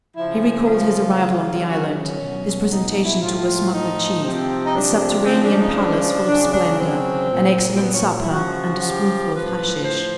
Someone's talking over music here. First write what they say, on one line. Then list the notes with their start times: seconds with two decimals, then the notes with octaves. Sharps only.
He recalled his arrival on the island, his presentation to a smuggler chief, a subterranean palace full of splendor, an excellent supper, and a spoonful of hashish.
0.15 C#3 F3 E4
0.66 F4
1.17 C#3 F#3
1.67 F#4
2.03 C#4
2.19 B2 F#3
2.71 D#4
2.88 D#4
3.04 E4
3.21 A2 F3 F4
3.73 D#4
4.24 C3 F3 C4
4.65 D#4
4.74 D4
5.25 C#3 F3 C4
5.43 D4
5.59 D#4
5.76 D4
6.28 C#3 F#3 D4
6.53 D4
6.78 C4
7.30 A#2 F#3
7.74 C4
7.81 B3
7.93 C#4
8.20 E4
8.31 C#3 F3 F#4
8.79 F#4
8.83 G4
9.34 A2 F3 B4
9.85 C5